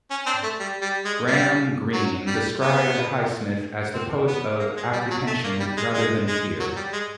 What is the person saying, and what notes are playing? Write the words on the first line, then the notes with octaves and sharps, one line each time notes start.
Graham Greene described Highsmith as the poet of apprehension rather than fear.
C#4
C4 D4
A3
G3
G3
G#3
G3
F#3
G3
B3
C4
B3
A#3
G#3
G3
F#3
A3
A#3
G3
G#3
G#3
G#3
F#3
G3
G#3